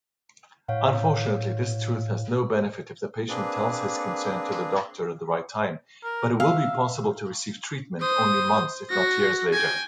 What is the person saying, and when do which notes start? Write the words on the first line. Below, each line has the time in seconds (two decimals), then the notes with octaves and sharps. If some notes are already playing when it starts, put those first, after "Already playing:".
Unfortunately, this truth has no benefit if the patient tells his concern to the doctor at the right time, but it will be possible to receive treatment only months, if not years later.
0.68 A2 C#5 F5 F#5
3.29 A#3 C4 D4 G#4 B4
6.04 A#4
6.40 E5 F5
8.00 C5 D#6
8.90 F#4 A#6
9.53 G5 G#5